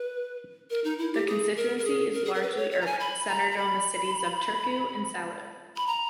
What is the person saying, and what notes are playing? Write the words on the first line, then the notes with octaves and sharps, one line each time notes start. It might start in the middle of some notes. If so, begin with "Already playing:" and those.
The constituency is largely urban, centred on the cities of Turku and Salo.
Already playing: B4
A#4
D#4
E4
G4
G#4
A#4
A#4
G#4
A#4
G#4
A#4
B4
C#5
C#5
A#5
G#5
B5
A#5
A#5
B5
B5
A#5